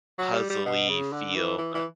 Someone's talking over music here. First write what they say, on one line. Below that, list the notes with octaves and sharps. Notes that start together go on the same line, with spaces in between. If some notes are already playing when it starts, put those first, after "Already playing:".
puzzle-y feel but,
F#3
G3
G3
B2
C#3
D3
E3
E3
E3